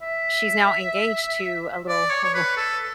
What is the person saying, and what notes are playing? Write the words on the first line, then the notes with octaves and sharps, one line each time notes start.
she's now engaged to a little a li
E5
D5
C#5
C#5
B4
A4